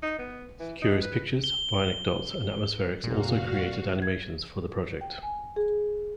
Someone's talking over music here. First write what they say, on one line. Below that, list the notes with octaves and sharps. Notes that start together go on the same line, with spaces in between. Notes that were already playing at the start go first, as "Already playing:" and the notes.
Curious Pictures, Bionic Dots, and Atmospherex also created animations for the project.
D#4
B3
E3
D#4
B4
G7
F1 A#2 F#4 F5
G#6
G5
G#5
G#4